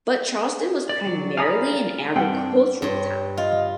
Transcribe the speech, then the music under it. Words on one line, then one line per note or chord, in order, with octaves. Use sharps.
But Charleston was primarily an agricultural town.
D5
F#3
F5 G#5 A#5 B5 D#6
G2 C4 D4 F#5 G5
G2 C#5 C6
F4 D#5